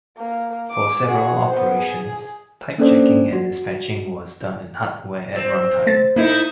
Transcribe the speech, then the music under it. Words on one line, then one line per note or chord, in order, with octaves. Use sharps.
For several operations, type checking and dispatching was done in hardware at runtime.
A#3
D6
F#4 G#4
B3 C5
G#4
A#3 C#4 D4 A4 C5 D5
F#4
C4
A3 A6
A2 A#3 D#4 E4